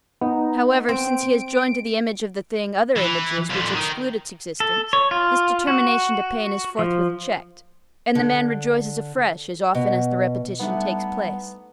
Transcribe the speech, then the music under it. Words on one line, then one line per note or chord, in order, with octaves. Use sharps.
However, since he has joined to the image of the thing other images, which exclude its existence, this determination to pain is forthwith checked, and the man rejoices afresh as often as the repetition takes place.
B3 D#4
C4 D7
E3
F2 D3
D#3
A4
C#5
F4
F#4
F3
D3
B2
G3 A3 B3 D4 D#4